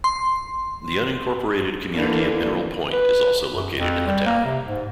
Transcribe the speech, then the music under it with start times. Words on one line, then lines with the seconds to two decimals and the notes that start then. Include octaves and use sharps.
The unincorporated community of Mineral Point is also located in the town.
0.04 C6
1.93 D3 E3 A#3
2.92 B4
3.53 F#2
3.75 F2
4.07 G3
4.26 A#3
4.45 C3
4.65 G#2